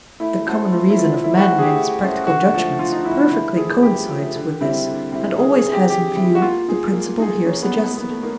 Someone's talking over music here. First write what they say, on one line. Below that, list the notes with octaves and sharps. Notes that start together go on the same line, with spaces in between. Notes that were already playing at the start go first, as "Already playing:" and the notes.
The common reason of men in its practical judgements perfectly coincides with this and always has in view the principle here suggested.
A3 E4
C#4 F#4 A4 C5
A3 F4
E4
C#4 F4 F#4 A4 C5
A3 E4
F#4
C#4 F#4 A4 C5
G#4
G4
A3
C#4 F#4 A4 C5
D3 F#4
F3 A3
D3 F4
D#4
F3 A3 E4
E4
D3 E4
F3 A3 G#4
D3 G4
F3 A3
D3
G3 C4 E4
D3
G3 C4 E4
D3 G#4
G#4
G3 C4 E4
G4
D3 G4
G3 C4 E4
F#4
A#3 F4
D#4 G#4
A#3
D#4 G#4
A#3 C#4
B3
D#4 G#4
A#3 B3
A3
A#3 D#4